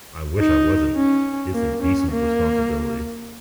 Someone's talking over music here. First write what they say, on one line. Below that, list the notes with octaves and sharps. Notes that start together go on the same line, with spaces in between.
I wish I wasn't; it's a beastly responsibility.
D#4
C#4
A#3
C#4
A#3